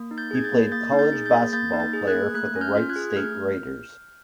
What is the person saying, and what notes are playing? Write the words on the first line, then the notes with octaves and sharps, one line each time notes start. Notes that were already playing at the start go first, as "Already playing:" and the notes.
He played college basketball player for the Wright State Raiders.
Already playing: A#3
D#4
G6 A6
G#4 G#6
G6 A6
A#3
A#3 G6 A6
D#4
G6 A6
G#4
G6 A6
A#3
A#3 G6 A6
D#4
G6 A6
G#4
F#6 G#6
A#3
A3 F#6 G#6
C#4
F6 G6
F4
F#6 G#6
G#4
G#6
A3 F6 G6